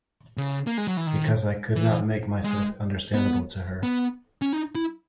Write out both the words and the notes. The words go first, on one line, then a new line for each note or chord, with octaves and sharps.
Because I could not make myself understandable to her.
C#3
A#3
G#3
F#3
E3
D#3
E3
G#3
B3
B3
C#4
D#4
E4